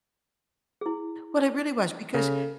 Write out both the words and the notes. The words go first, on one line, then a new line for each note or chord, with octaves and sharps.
What it really was because,
E4 G#4
C#3 A4